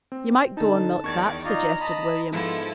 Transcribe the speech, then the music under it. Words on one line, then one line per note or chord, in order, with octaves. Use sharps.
"You might go an' milk that," suggested William.
C4
D3 D#4 A5
E2 D#3 D5 C#6 G#6 A6
D#4 F4 D5 A#5
D#5 A5 B5
G#2 F3 B3 E4 A4